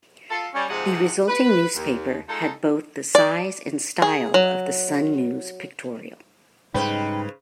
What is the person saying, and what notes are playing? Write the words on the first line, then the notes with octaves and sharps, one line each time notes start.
The resulting newspaper had both the size and style of "The Sun News-Pictorial".
F4 A4
G3 C#4
G#2 C3 F3 G#3 D#5 F#5
B4
D#2
G#3 D#4 F4 A4
D5
G#4
F#3
G#2 C#3 G3 D#4 B4 C5 G5 B5